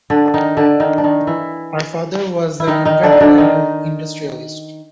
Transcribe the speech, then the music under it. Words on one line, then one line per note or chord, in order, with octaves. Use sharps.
Her father was an inventor and an industrialist.
D3 D4
D#3 D#4
D3 D4
D#3 D#4
D4
D#3 D#4
E3 E4
E4
D#3 D#4
D#3 D#4
D3 D4
D#4
D3 D4
D#3 D#4